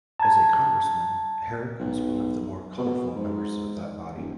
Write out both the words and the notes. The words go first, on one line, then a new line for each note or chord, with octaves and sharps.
As a Congressman, Herrick was one of the more colorful members of that body.
A5 A#5 G#6
B1
B2
G#2
D#1